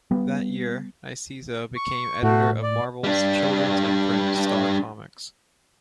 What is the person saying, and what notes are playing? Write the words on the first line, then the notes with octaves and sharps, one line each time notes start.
That year, Nicieza became editor of Marvel's children's imprint, Star Comics.
G3 B3
C#6
A2 A3 F#4
D5
G3 D4